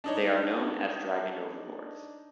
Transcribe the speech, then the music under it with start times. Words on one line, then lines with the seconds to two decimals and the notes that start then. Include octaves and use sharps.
They are known as Dragon Overlords.
0.04 D4 D#4 C#5